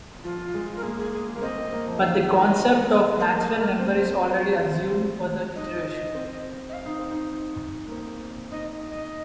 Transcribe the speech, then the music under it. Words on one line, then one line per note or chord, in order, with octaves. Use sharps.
But the concept of natural number is already assumed for the iteration.
F3 F4
G#3
A#4
A#3 G#4
G#4
G#4
A#3
C4 D#5
C4
A#3
F3
D#3 F5
D#5
A#3 F5
D#5
A#4
C4 C5
D#4 D#5
C4
D#5
F5
D#4
C4
D#4
A#3
C4
D#4 D#5
D#5